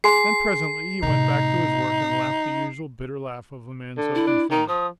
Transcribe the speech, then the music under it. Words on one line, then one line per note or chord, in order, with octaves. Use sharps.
Then presently he went back to his work and laughed the usual bitter laugh of a man so confronted.
G#4 G#5 C6 C7
A2 C3 D#4
D3
E4
D4
D#3 A#5
F3 D#6